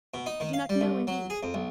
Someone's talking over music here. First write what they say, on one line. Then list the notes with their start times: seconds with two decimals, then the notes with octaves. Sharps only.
"I do not know indeed."
0.14 B2
0.26 D#4
0.40 D#3
0.53 F5
0.69 G3
0.81 C2
1.07 F#3
1.30 G#4
1.43 F2
1.54 B1